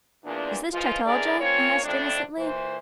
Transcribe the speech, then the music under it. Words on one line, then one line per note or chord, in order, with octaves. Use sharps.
'Is this Chataldja?' I asked innocently.
E2 A#2 D4
E3 F3 G#3 F4
D3 E3 G#3 G#4 A#4 D5
A#3 C4 C#4 F4 C#5
F2 A2 D4
A#2 E3 C5